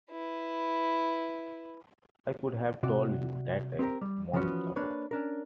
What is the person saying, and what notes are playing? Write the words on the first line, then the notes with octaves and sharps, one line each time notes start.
I could have told you that a month ago.
E4 B4
C3 F#4 D5
C4 G4 G#4 A#4
G3
E3 F3 G3 B3 C#4 F#4
A#3 D4 B4 C#5
C#4 D4 A#4